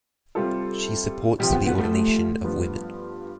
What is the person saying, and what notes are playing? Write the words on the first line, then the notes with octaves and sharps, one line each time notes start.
She supports the ordination of women.
C3 G3 C4 F4 A4
C2 C3 F3 G3
B3
B3
A3
G2 F3 B3